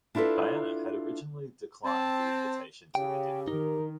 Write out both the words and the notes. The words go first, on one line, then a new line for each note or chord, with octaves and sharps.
Diana had originally declined the invitation to the dinner.
D4 E4 F4 G4 A4 B4
C4 A5
C#3 G4 G5
D#3 D#4 A#4